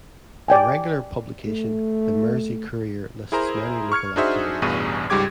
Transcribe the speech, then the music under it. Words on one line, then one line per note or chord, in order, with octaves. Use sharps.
A regular publication, the "Mersea Courier", lists many local activities.
D5 G5 G#5
A3
E4 G#4 A#4 C5 A#5
C#6 F6 G#6 C#7
D4 D#4 F#4 G#4 C5 E5
A1 E2 G2 B2 G#4 D#7
C#2 G#2 G3 G4 D6 G#6